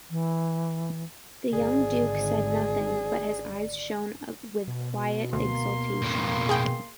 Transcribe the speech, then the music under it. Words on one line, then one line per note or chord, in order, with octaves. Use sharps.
The young Duke said nothing, but his eyes shone with quiet exultation.
E3
G#1 G#2 D3 G#4 D5
B2
D2 A#3 C6
F2 A2
G#4 G5